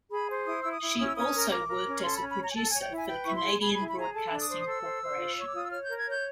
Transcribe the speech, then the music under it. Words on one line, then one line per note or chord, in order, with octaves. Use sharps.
She also worked as a producer for the Canadian Broadcasting Corporation.
G#4 B5
C5
E4 D#6
E4 E6
D#6
E4
C#4 D#6
E6
C#4 D#6
A#4
A#4 D6
A#4
C#4
A4 C6
B5
C#4
B5
C#5 A#5
G#5
A4 A5
C#5 G#5
G5
E4 G#5
B4 G5
E4 C#6
C6
G#4
G#4 B5
B5
E4
B5
G#4 A#5
A4 A5
D4
D#6
C5
D#6
A4 E6
C5
C5
F4
C#5 C#6
D6
F4 D#6
E6
C#5 F6
A#4 G6
G#6
C#5 G6